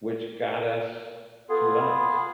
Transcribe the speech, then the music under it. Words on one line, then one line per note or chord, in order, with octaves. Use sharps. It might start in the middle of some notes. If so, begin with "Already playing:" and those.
which got us to relax,
B3 F4 G#4 A4
B5